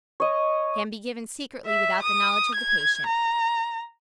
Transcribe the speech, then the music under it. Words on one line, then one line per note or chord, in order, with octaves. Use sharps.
Can be given Secretly without the knowledge of the patient.
C#5 D#5
E5
D#6
G#6
A#5